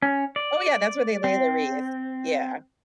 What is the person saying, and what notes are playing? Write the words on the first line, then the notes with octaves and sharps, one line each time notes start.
oh, yeah, that's where they lay the wreath. Yeah.
C#4
D5
C4